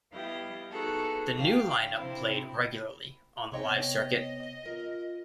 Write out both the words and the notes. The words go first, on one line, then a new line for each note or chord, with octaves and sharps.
The new line-up played regularly on the live circuit.
G3 B3 E4 G4 D#5 F5
B3 D#4 F#4 G#4 A4
D3 F5 G5
C3 C4 E4
C3 B3 C#5 D#5 G5
F4 A#4